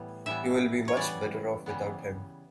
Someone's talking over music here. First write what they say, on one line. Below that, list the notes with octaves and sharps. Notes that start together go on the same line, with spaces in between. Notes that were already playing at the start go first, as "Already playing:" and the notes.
You will be much better off without him.
Already playing: A2 E3 G3 B3
A2 E3 G3 B3 E5
C#5
C#3 E3 G3 B3 D5
C#3 E3 G3 B3